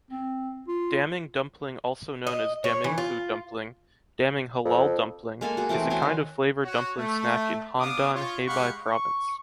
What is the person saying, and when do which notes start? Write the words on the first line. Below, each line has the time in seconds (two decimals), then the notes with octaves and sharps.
Daming dumpling also known as Damingfu dumpling, Daming Halal dumpling, is a kind of flavor dumpling snack in Handan, Hebei Province.
0.11 C4
0.67 F4
2.27 D#5
2.64 C#5
2.84 E3
2.98 F4
4.65 F2
5.41 G#3 A#3 A4 G#5
5.57 F#4 G#4
5.69 E3 A3 C4 D6
5.90 F#4 C5 C#5 G#5
6.02 D#3
6.65 F#4 C#5
6.98 A3
7.79 B3 D4 F5 D6 D#6
8.14 F4 C#5
8.47 G#3 G4 F5 F#5 B5 C#6
8.88 C#6